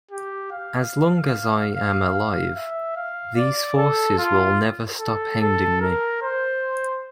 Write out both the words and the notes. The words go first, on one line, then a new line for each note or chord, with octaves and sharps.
As long as I am alive, these forces will never stop hounding me.
G4
F5
F5
F5
E5
F5
D5
A4
F4
A4
A4
A#4
C5